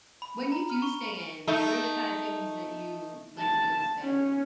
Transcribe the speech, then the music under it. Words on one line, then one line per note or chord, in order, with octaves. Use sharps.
when you do stay in, what are the kinda things that you like to do instead?
B5
B5
A#5
F6
C#6
A3 D#4
A5
C#4